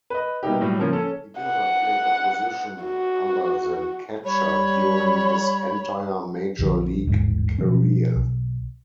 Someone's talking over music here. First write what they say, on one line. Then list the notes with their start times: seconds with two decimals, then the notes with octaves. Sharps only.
He never played a position other than catcher during his entire major league career.
0.10 B4 D#5
0.43 B2 G3 A#3 D#4 E4 G4
0.61 A2 F#3 G3
0.79 C#3 F3 A#3 C#4
0.93 C#4 A4
1.39 F#5
2.85 F#4
4.25 G3 C#5 B5
6.59 A#1 F2 D3
7.07 D#1 A1 G#2
7.58 B2 F3 C#4
8.16 B1